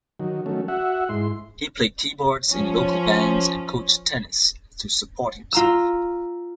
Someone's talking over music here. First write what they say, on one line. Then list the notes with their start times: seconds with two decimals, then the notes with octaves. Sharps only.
He played keyboards in local bands and coached tennis to support himself.
0.20 D#3 F#3
0.46 D#3 F#3 A3 C#4
0.68 F#4 E5 F#5
1.09 G#2 E4 C6
2.52 F3 C#4
5.53 F4 A#5 E6